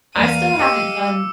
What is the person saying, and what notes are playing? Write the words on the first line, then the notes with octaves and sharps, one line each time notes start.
I still haven't done
E2 A#3 D5 F5 D#7
G4 D#5 G5 D6 E6 C#7